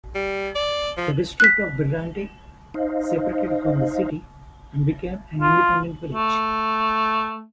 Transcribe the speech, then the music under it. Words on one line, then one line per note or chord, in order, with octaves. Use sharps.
The district of Berente separated from the city and became an independent village.
G3
D5
F3
F#6 B6
D#4 C5 D#5 F5
F4
A3